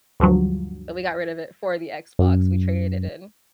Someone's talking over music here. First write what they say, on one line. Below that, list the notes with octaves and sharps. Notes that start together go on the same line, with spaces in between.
but we got rid of it for the Xbox; we traded it in.
D2 G2 F3 F#3
F#2